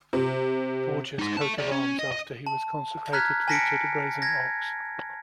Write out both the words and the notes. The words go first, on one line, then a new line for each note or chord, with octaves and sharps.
Borgia's coat of arms after he was consecrated featured a grazing ox.
C3
D#4 G#4
E5 A5
G#4 D5
C#4
D#5
D#5
A5
A#5 F6 F#6 G#6 B6
G#5 A5 A#6 B6 C#7 D7
G#6 A#6